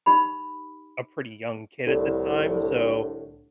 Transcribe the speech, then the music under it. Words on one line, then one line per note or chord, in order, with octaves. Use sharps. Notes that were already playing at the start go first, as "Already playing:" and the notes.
a pretty young kid at the time, so
D#4 G4 B5
C2 A2 D3